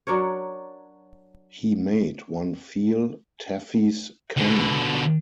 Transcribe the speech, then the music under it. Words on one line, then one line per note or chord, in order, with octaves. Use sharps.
He made one feel Taffy’s cunning.
F#3 D4 A#4 C#5
B2 D3